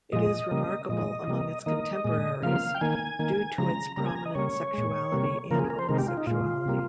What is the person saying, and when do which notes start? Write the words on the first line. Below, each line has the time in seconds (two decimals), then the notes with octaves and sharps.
It is remarkable among its contemporaries due to its prominent sexuality and homosexuality.
0.12 A#2 F3 G#3 D#5
0.51 C#3 G3 A#3
0.89 A#2 F3 G#3 D#5
1.27 C3 G3 A#3
1.66 D#3 A#3 D#5
2.04 A#2 G#3
2.43 C#3 F3 A#3 F5
2.75 G5
2.81 D#3 A#3 G#5
3.19 D#3 A#3
3.58 C#3 F3 G#3 A#5
3.96 C#3 G3 A#3 A#5
4.06 G#5
4.15 A#5
4.26 D#5
4.35 C#3 G3 A#3 C#5
4.74 A#2 G#3
5.12 C3 G3 A#3
5.51 C#3 F3 A#3 A#4
5.59 G#4
5.70 A#4
5.79 C5
5.89 C3 D#3 G#3 A#4
5.98 G4
6.08 F4
6.17 D#4
6.27 A#2 G#3 F4
6.66 C3 G3 A#3